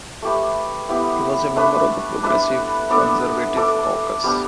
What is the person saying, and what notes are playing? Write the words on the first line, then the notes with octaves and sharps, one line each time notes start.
He was a member of the Progressive Conservative caucus.
A3 G4 B4
B3 E4 G4
A3 D4 B4 E5
D4 B4 E5
B3 D4 A4 D5
D4 A4 D5
G3 B3 D4